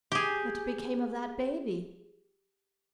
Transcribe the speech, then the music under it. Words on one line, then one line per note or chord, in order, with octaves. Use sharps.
What became of that baby?
G4 G#4